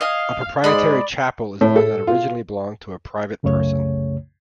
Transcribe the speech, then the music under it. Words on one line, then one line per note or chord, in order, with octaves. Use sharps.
A proprietary chapel is one that originally belonged to a private person.
D#5 F5 G#5
G#2 G#3 D5 B5 C6 D#6
A2
A4
F4
C2 F#2 C#3 A3 C#5